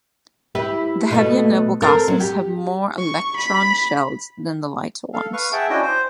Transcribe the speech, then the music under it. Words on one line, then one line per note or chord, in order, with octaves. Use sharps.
The heavier noble gases have more electron shells than the lighter ones.
E4 G4 B4
B2 A3 B3
C4 A4 A#4
F#3
G4
C#6
B5
A4 F5
B4 F5 C#6
G#4 E5 F#5 G5 A5
C#4 D4 E4 F#4 D#5 G5
C5